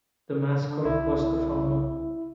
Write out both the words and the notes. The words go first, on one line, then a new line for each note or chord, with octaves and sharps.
The mascot was the Farmer.
D3
C2 E4